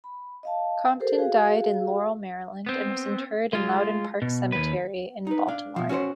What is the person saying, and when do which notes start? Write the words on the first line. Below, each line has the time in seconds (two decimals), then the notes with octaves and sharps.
Compton died in Laurel, Maryland and was interred in Loudon Park Cemetery in Baltimore.
0.04 B5
0.43 D#5 F5 A5
1.00 G4 A4 A#4 C5
1.18 F#4 G#4 F5
2.66 B3 C4
3.53 G#3 F4
4.22 B2
4.52 D#2 B4
5.27 D#4 B4
5.48 D4 F5
5.76 B2 F3
5.89 C#4 F#4 A4 C5 C#5